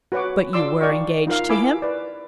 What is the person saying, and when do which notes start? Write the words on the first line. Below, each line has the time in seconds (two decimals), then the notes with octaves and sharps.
"But you were engaged to him?"
0.12 F#4 B4 C#5 F#5 D6
0.53 F4 D5 C6 D6 E6
0.81 D#4 D5 F5 G5 C#6
1.27 D#4 F4 A#4 F5
1.49 E4 G#5 B5 D6 E6
1.82 B4 D5